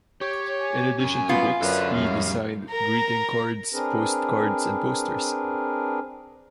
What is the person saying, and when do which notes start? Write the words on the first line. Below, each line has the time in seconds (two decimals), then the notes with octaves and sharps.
In addition to books, he designed greeting cards, post cards, and posters.
0.21 G4 C#5
0.61 G#5
1.00 F#3 C#4 G#5
1.29 B3 F4
1.61 F#2 A4 B4 D5
1.94 F2 A2 G3 F5
2.70 A#4 A#5
3.73 C4 D4 G#4 A#4 B4